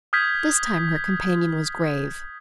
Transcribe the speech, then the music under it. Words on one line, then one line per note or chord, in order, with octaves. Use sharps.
This time her companion was grave.
D#6 F6 G6 G#6 B6